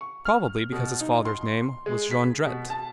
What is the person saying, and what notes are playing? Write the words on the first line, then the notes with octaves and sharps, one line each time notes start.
Probably because his father's name was Jondrette.
C#6
F6
B2
D#4
C6
G#3
B6
B2
A5